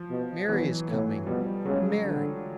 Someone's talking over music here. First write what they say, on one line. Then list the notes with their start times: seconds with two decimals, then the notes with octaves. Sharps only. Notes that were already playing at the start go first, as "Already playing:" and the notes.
Mary is coming! Mary!
Already playing: F3
0.10 B2
0.49 B2 E3 F#3
0.88 A2
1.26 B2 F3 G3
1.65 C#3 F#3 G#3
2.04 D3